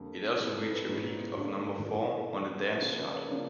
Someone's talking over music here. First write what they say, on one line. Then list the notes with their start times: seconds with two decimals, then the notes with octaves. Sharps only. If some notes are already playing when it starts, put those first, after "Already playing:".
It also reached a peak of number four on the Dance chart.
Already playing: F2 D3 G3 A#3
0.40 G#2 E3 G3 C4 E4
0.56 A4
0.72 B4
0.89 G#2 E3 G#3 C#4
1.36 G2 D3 G3 A#3 D4
1.85 G#2 E3 G3 A#4
1.96 A4
2.09 A#4
2.21 A4
2.33 F2 D3 F#3
2.80 C#3 F3 A#3 C#4 G#4
2.97 B4
3.13 C#5
3.29 C#3 F3 A#3 D4